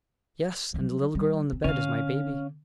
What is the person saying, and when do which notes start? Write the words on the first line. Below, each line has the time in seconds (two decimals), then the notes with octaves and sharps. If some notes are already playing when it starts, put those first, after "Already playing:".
"Yes, and the little girl in the bed is my baby."
0.74 F#3 G3
1.15 G3
1.52 C4
1.64 D3 C4 C#4 F5